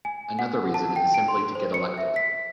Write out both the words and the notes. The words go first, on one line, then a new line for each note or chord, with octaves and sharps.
Another reason is simply to get elected.
G#5
F#5
A5
G5
D7
C6
C5
C#7
E5
B6